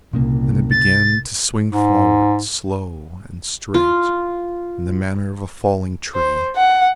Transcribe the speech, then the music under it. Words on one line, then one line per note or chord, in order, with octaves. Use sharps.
Then it began to swing forward, slow and straight, in the manner of a falling tree.
C2 A#2 C#3 A#3
A6
G#2
F4
C5
F#5